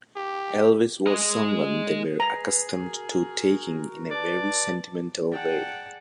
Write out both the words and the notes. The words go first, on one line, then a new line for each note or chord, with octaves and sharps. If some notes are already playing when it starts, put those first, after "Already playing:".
Elvis was someone they were accustomed to taking in a very sentimental way.
G4
G#3 D#5
G#4 B4 A#5
F#4 A#4
G4 B4 D5 A5
G#4 D5 F#5 G5 A5